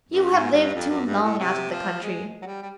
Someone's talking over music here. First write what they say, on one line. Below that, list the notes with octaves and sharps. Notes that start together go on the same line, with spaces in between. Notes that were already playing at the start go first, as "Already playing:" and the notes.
You have lived too long out of the country.
F#2
G#2
G2
F2
F#2
G2
A2
C3
F3
G#3
F#3
G3
G3